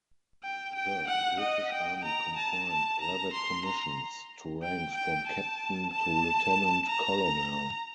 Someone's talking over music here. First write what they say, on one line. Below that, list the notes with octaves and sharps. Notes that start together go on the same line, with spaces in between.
The British Army confined brevet commissions to ranks from captain to lieutenant-colonel.
G5
G5
F#5
D#5
G5
A#5
A5
A5
A#5
C6
A#5
G5
G5
A5
A5
A#5